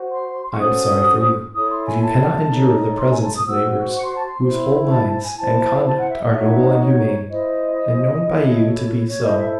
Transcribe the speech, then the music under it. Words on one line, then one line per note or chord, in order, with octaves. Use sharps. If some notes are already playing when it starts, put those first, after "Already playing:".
I am sorry for you, if you cannot endure the presence of neighbours whose whole minds and conduct are noble and humane, and known by you to be so.
Already playing: F#4 C5
C6
C6
C#6
C#4 F#4 A4 C5 D#6
E4 A4 C#5 D#6
C6
G#5
A5
D#4 A4 C#5
C6
G#5
A5
D#6
F#4 C5 E6
C#6
C6
A5
C6
E4 C5
A5
A5
G#5
E4 C5 A5
A5
F#5
E5
D#5
F#5
D#4 F#4 C#5 E5
E5
D#5
C#5
E4 C5 D#5
E4 A4 C#5
C#5
E4 A4 C5 D#5
E5